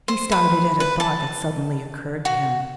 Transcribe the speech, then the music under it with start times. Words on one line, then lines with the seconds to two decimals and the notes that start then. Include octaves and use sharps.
He started at a thought that suddenly occurred to him.
0.08 C5
0.32 B4
0.80 B4
1.00 A5
2.25 F#4